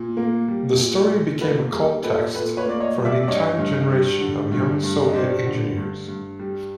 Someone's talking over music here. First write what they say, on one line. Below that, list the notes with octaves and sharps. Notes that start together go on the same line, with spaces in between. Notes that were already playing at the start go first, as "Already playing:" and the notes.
The story became a cult text for an entire generation of young Soviet engineers.
Already playing: A#2
A#3
G3
A#2
A#2
A#3 A4 B4
G3 G#4 A#4
A#2 A4 B4
A#2 A4 B4
B4 C#5
A#3 D5
C#5 D#5
G3
D5 E5
D5
G2 C#5 D#5
G2
G3
D3
G2
G2
D#5
G3 C5 D5
D3
G2
G2
G3